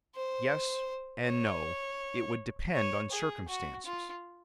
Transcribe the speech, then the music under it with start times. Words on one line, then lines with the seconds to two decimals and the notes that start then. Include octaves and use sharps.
"Yes and no--it would depend on circumstances."
0.15 C5
1.26 C#5
2.75 C#5
3.12 G#4
3.49 F#4
3.86 F4